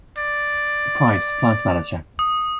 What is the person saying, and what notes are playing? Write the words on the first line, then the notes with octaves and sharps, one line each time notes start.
Price, plant manager.
D5
D#6